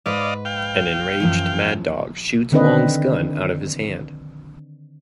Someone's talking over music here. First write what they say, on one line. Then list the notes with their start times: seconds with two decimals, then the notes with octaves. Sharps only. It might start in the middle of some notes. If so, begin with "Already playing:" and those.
An enraged Mad Dog shoots Wong's gun out of his hand.
0.06 G#2 B4 D5 D#5 F5
0.45 F5 G5
1.20 F#2 E3 F3
2.52 D3 D#3 C4 D4 B4 D#5